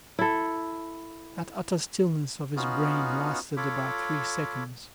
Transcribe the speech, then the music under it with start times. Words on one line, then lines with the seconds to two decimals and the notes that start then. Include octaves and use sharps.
That utter stillness of his brain lasted about three seconds.
0.19 E4 A4
2.56 B3 C#4 D#4 F4 F#4
3.57 F4 A4 C#5 B5 D6